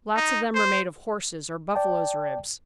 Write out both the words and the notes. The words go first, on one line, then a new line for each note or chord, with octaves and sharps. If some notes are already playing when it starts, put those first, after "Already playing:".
Lots of them are made of horses' or buffaloes' ribs.
D#4
C5
D5 G5 A5